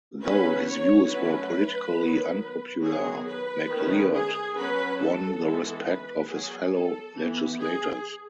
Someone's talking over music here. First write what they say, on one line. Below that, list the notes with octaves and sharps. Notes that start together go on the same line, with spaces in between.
Though his views were politically unpopular, MacLeod won the respect of his fellow legislators.
F#3 C#4 B4
C#5
F#3 A3 C#4 B4
D#3 F#3 B3
D#3 F#3 B3 G#4
B4
D#3 A3 C#4
G#4
F#3 C#4 B4
A4
E3 G#3 B3
B4
F#3 B3 G#4
A4
E3 B3
G#4